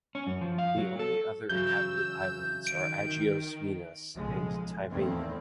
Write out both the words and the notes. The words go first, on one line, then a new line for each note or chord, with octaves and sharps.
The only other inhabited islands are Agios Minas, and Thymaina.
C#4
F#2
F3
F5
F#3
A4
C#3 E3 F#3 E6 G6
D#3 D7
B1 A2 C#3 F3 G#3
E2 D#3 A3 A#3 C4